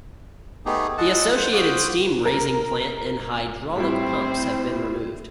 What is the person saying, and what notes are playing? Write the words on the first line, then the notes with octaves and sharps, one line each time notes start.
The associated steam raising plant and hydraulic pumps have been removed.
A3 B3 D#4 G4 G#4
G#3 G#4 A4 D#5 F#5 A5
C5 F#5
F4 F#4 C5 D6 D#6
A#4
A2 G3 C4 E4 C5